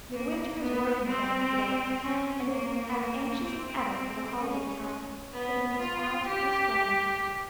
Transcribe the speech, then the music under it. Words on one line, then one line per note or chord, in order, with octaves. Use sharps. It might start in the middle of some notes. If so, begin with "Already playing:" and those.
Midwinter is working again to-day, and is as anxious as ever for the holiday-time that he is to pass with his friend.
A#3
B3
C4
C#4
A#3
C4
C#4
B3
F4
G4